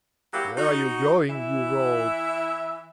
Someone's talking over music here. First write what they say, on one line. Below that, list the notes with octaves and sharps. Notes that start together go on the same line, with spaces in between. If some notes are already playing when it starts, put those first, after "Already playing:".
"Where are you going, you rogue?"
F#3 A#3 E4 G4
D#4 F#4
E3 E4 E5